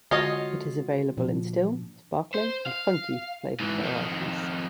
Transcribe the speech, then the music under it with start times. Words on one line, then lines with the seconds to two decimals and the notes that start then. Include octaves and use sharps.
It is available in still, sparkling, and "funky"-flavoured varieties.
0.11 D3 G#3 F4 F#4 C#5 D#5
1.17 A#2 F3 D4
2.34 C5
2.66 F5
3.60 G#2 E3
3.83 F2 D#3